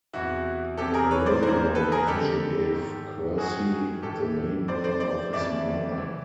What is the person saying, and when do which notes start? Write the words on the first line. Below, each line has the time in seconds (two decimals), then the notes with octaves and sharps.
A railroad official gave Kersey the maiden name of his mother.
0.13 E2 C3 E3 E4 F#4
0.77 E2 C3 E3 G4 A4
0.94 G#4 A#4
1.11 B4 C#5
1.26 C5 D5
1.43 E2 C#3 E3 A#4 C5
1.75 A4 B4
1.92 G#4 A#4
2.07 F2 D3 G4 A4
2.72 G#2 D#3
3.37 F#2 D#3 F#4 G#4
4.02 A2 E3 G4 A4
4.68 F2 C3 D#3 C5 D5
4.84 C5 D5
5.00 C5 D5
5.32 F2 C#3 E3 D5 E5
5.98 E3